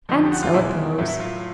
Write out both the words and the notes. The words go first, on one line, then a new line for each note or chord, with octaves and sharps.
And so it goes.
F2 D3 F3 D#4
G4
F#4
F4
E2 B2 G#3 E4
A2 F#3 A3
E4
F4